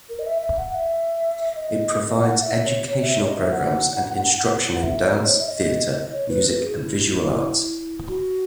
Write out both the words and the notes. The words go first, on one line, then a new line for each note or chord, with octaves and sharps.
It provides educational programs and instruction in dance, theatre, music and visual arts.
A#4
D#5
E5
E5
F#5
E5
D#5
F#5
E5
C#5
C#5
E5
C#5
D#5
E5
F#5
F#5
E5
D#5
C#5
E5
D#5
C#5
B4
B4
G#4
E4
F#4